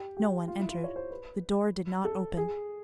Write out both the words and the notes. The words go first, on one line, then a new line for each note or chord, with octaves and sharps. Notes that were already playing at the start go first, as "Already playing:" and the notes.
No one entered; the door did not open.
Already playing: G4
G4
F4
E4
F4
C#5
C5
B4
A4
G#4